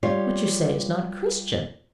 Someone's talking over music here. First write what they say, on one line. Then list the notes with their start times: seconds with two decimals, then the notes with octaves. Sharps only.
"What you say is not Christian."
0.03 G3 F4 C#5